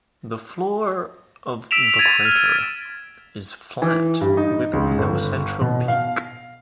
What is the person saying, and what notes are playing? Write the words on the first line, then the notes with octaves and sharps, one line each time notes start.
The floor of the crater is flat with no central peak.
E6 B6 D7 E7 F7
G#6 A6 D#7
F6
E3
G2
D#4
C#2
G1
B2
F5